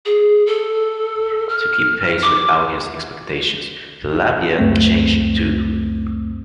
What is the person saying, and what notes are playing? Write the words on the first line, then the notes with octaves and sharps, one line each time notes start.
To keep pace with audience expectations, the Lafayette changed, too.
G#4
A4
F6
D6
C#2 F#2 A3 C4